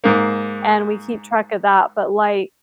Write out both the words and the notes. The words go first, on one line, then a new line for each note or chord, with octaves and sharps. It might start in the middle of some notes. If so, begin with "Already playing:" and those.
and we keep track of that, but, like,
G#2 A#3